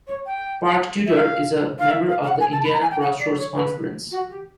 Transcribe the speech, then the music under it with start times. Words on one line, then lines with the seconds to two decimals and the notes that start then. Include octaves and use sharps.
Park Tudor is a member of the Indiana Crossroads Conference.
0.07 C#5
0.26 G5
1.07 E5
1.17 F5
1.79 F5
1.91 E5
2.09 F5
2.23 F5
2.27 F#5
2.40 G#5
2.52 A5
2.64 B5
2.73 A#5
2.82 G#5
2.91 G5
3.01 F#5
3.19 D5
3.38 C#5
3.56 B4
4.11 F#4
4.30 G4